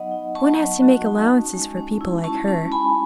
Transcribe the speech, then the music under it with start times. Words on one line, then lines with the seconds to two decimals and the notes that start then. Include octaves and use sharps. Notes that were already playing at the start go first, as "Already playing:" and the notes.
One has to make allowances for people like her.
Already playing: F#3 B3 D#4 D#5 F#5
0.11 D#4
0.35 B3 A5 C#6
0.59 F#3
0.82 F#4
1.06 D#4
1.30 C#4
1.53 G#3
1.77 C#4
2.01 E4
2.24 C#4 A5 C#6
2.48 C#4
2.72 G#3 G#5 B5